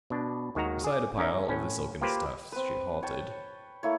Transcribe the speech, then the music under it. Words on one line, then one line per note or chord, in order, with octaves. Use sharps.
Beside a pile of the silken stuffs she halted.
B2 D4
D#2 D#3 G#3 F#4 A#5
G#4 D5
C#4 D#4 A#4
A2 C#4
A#3 F4 G4 B4 C5
C4 B4
C#5 G5 A5
A3 A#3 E4 C#5